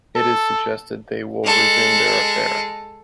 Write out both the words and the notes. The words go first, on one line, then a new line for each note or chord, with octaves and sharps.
It is suggested they will resume their affair.
A4
G#3 A4